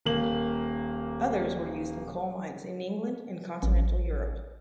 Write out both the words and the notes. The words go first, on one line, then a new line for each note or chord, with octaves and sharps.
Others were used in coal mines in England and continental Europe.
D#1 A#3 F#7
A1